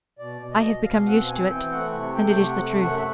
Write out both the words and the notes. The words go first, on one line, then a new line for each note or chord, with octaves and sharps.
I have become used to it,--and, it is the truth.
B2 D5
B2
D#5
B2
B2 F5
C4 F#5
C4 G#5
E3 G5
A3 F#5
C3
A3 G5
C3
F#5
A3
F#2 F#5
E5